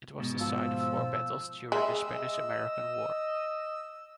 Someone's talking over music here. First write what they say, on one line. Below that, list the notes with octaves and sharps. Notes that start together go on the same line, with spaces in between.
It was the site of four battles during the Spanish American War.
G#2 B2
F3 E6
G#3 D#5 E5 E6